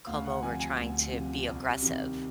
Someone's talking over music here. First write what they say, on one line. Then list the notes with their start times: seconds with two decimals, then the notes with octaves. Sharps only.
come over trying to be aggressive.
0.07 D2 F5
0.24 F#5
0.42 C3 F3 G#5
0.60 G#5
0.78 D2
1.12 C3 F3
1.48 C2
1.82 C3 D#3